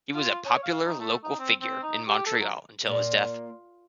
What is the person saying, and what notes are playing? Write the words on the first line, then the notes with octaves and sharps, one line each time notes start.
He was a popular local figure in Montreal until his death.
F4
C#5
F5
D#4
A3
D#4
C4
C4
D#4
G4
A4
F#3
A#2